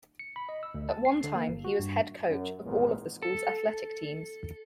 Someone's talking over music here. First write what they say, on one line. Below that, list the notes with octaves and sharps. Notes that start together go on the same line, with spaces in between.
At one time, he was head coach of all of the school's athletic teams.
C#7
B5
D#5
E6
D2
A5
C7
D3
A#3
G1
F#4
G2
F#2
G#1 E2 A#2 G#3 B3
A4